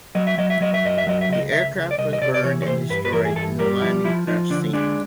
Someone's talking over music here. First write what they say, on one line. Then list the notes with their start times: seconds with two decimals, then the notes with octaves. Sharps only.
The aircraft was burned and destroyed in the landing crash scene.
0.15 F#3 D#5
0.27 E5
0.38 F#3 D#5
0.50 E5
0.61 F#3 D#5
0.74 E5
0.83 F#2 D#5
0.98 E5
1.07 F#3 D#5
1.21 E5
1.29 C#2 D#5
1.52 C#2 E5
1.76 C#2
1.91 D5
1.98 C2 D#5
2.13 D#5
2.21 C3 D5
2.34 D5
2.44 E3 C#5
2.62 C#5
2.66 C3 C5
2.90 G2 B4
3.05 B4
3.13 E3 A#4
3.25 G#4
3.36 G2 A4
3.59 G3 A#4
3.82 F3 E4
4.04 F3 E4
4.27 F3 D#4
4.50 D3 D4
4.73 G#3 D4